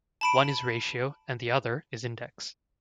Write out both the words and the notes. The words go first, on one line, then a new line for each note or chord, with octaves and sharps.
One is ratio and the other is index.
A5 B5 D7